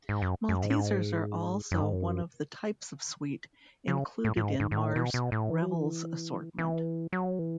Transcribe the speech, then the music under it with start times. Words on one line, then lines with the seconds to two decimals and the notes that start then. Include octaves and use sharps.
Maltesers are also one of the types of sweet included in Mars's Revels assortment.
0.09 G#2
0.22 F#2
0.49 F#2
0.63 G#2
0.70 A2
0.77 G#2
1.71 F#2
1.82 G#2
1.93 F#2
3.88 C#3
4.24 A2
4.37 A2
4.42 G#2
4.60 G#2
4.71 G#2
4.78 A2
4.96 B2
5.14 B2
5.32 A2
5.50 E3
5.62 F#3
5.74 E3
6.59 E3
7.13 F#3
7.39 E3